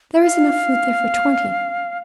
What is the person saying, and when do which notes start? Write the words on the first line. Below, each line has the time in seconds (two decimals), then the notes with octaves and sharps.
"There is enough food there for twenty."
0.20 F5